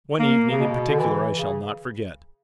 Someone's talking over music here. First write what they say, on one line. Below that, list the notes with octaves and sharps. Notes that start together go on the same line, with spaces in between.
One evening in particular I shall not forget.
A#3
C#3
B2
D3
E3
C#3